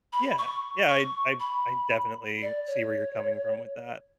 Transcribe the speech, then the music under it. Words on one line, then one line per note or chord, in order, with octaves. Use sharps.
Yeah. Yeah, I I I definitely see where you're coming from with that.
B5
C#6
C#6
B5
D5
C#5